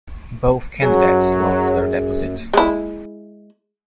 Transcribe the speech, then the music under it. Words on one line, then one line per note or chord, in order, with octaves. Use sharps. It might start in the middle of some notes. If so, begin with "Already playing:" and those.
Both candidates lost their deposit.
F#2 F#3 G#4
G#3 E4